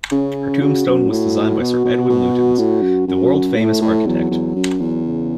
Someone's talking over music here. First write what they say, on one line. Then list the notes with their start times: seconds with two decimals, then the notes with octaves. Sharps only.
Her tombstone was designed by Sir Edwin Lutyens, the world-famous architect.
0.12 C#3 C#4
0.61 C#3 F#4
0.87 F#2
1.10 A2 F#4
1.60 B2 F#4
1.85 B2
2.09 B2
2.59 A2
2.83 F#2
3.08 F#2 F#4
3.57 A2 A3
3.82 A2
4.06 E2 F#3
4.31 E2
4.56 F#2
4.80 E2
5.05 C#3